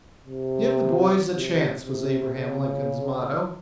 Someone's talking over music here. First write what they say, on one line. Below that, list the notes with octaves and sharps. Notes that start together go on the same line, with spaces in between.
"Give the boys a chance," was Abraham Lincoln's motto.
C3
C3
C3
C#3